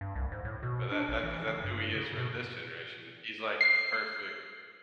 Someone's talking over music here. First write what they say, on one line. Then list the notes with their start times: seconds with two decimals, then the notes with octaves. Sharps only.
but that that 'cause that's who he is for this generation, he's, like, the perfect
0.01 G2
0.15 C2
0.32 G#2
0.45 A2
0.63 B2
0.91 D4
1.08 A1
1.23 E3
1.47 C#3
1.64 G2
1.95 C#3
2.17 B2
3.61 C7